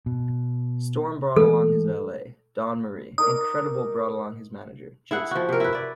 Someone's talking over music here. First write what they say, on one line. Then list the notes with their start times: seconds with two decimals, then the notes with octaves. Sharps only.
Storm brought along his valet, Dawn Marie, and Credible brought along his manager, Jason.
0.06 B2
1.36 E3 G#3 A3 A4
3.18 D#4 A#4 D5 D#6
5.11 E4 G#4 F#5
5.31 F3 F#4
5.49 C3 A#4
5.60 E4 B4
5.73 E4 D5